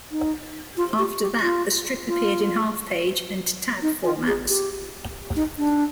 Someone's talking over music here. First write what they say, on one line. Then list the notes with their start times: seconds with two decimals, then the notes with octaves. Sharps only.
After that, the strip appeared in half page and tab formats.
0.11 D#4
0.77 F4
0.98 G4
1.21 G4
1.42 F4
2.07 F4
3.82 D#4
4.04 F4
4.27 G#4
4.49 G4
5.36 D#4
5.58 D4